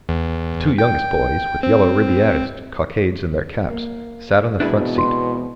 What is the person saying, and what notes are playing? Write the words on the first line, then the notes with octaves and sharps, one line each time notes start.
The two youngest boys, with yellow Ribierist cockades in their caps, sat on the front seat.
E2
G5
C4
A#3
E2 B2 G#3 C4 D4 E4 B4
C6